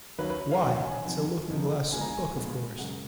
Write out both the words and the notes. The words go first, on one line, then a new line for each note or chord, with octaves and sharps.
Why, it’s a Looking-glass book, of course!
D#2 D#3 F#3 C#4 B4
B4
C#5
F5
D#2 D#3 F#3 C#4 F#5
F#5
G#5
F1 F2 D#3
F1 F2 D#3
A#1 A#2 G#3 B3 G#5
A#5
G#5
A#1 A#2 G#3 B3
F#1 F#2 C#3 G#3 F#5